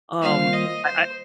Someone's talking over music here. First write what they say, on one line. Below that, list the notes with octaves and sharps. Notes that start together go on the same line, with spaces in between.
Um, I
D#3 G3 A#3 F4 C5 F5
D#5
C5